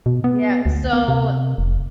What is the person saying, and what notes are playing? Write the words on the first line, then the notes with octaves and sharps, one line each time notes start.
Yeah, so
B2
B3
D2
B3
C3
F1